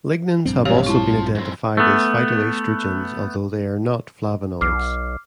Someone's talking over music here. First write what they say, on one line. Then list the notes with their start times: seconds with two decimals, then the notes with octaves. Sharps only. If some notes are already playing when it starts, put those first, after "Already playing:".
Lignans have also been identified as phytoestrogens, although they are not flavonoids.
0.46 A#1 G2 C4
0.65 E2 G#2 G#3 G4 C#5
0.86 E4 F4 A5
1.35 F#2 C4
1.77 A3 B3
4.61 B1 D6 F6 C7